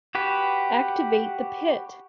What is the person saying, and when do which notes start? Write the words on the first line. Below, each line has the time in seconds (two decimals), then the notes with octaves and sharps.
Activate the pit!
0.15 F#4 G4 B4